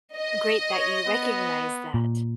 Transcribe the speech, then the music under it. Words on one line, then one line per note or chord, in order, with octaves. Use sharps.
great that you recognize that.
D#5
C#5
B3
A#2